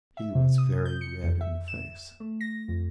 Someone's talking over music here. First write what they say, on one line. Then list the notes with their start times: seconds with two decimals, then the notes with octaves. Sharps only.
He was very red in the face.
0.17 E5
0.35 C3
0.58 D#6
0.85 G6
1.01 C#7
1.24 F2
1.41 E5
1.68 E7
2.20 A3
2.41 A#6
2.68 F2